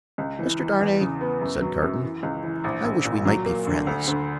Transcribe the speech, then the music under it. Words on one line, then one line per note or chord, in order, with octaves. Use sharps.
"Mr. Darnay," said Carton, "I wish we might be friends."
C#2
E3
E3
E2
C#3
B3
F#2
F#3
F#2
E3
C#2
E3
A#1
A#1
A#2
F#3
A#3
D3
D2
D2